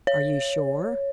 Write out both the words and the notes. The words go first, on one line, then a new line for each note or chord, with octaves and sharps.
"Are you sure?"
C#5